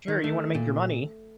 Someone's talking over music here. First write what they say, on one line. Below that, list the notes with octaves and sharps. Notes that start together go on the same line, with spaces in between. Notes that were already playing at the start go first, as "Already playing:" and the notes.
Sure, you wanna make your money.
D#3
A3
A#2